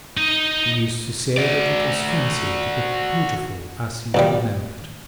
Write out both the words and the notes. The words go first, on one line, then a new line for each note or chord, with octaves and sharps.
He used to say that it was frenzied but beautiful as he remembered.
D#4 D#5
F#4 D5
B1 A#2 G3